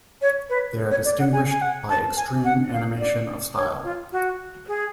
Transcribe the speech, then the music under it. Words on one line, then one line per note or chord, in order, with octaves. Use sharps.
They are distinguished by extreme animation of style.
C#5
B4
C#5
D5
F#5
G#5
G#5
F#5
A5
G#5
F#5
F5
D5
C#5
F4
F#4
G#4